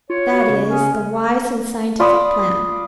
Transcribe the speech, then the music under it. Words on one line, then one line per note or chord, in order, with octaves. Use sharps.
That is the wise and scientific plan.
F4 C#5
F#4
C#3
C#4 G#4
F4 D5 B5 D#6